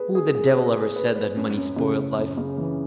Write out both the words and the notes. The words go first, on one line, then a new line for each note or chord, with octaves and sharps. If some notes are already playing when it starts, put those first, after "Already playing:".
Who the devil ever said that money spoiled life?
Already playing: G#4 B4
G#4
G#4
B4
G#4
B4
B4
F#2
F#2
C#3
C#3
F#2
C#3
E3